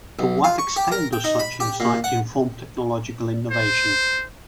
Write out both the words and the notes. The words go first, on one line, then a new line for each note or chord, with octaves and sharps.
To what extent do such insights inform technological innovation?
B1
F4
C#6
G4
A#4
G5
D#4
B5
G4
A#2
F#5
C5